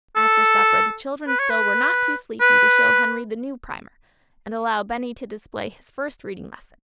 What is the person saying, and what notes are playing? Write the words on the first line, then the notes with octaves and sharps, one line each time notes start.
After supper the children still were not too sleepy to show Henry the new primer, and allow Benny to display his first reading lesson.
A4
B4
C#5
B4
B4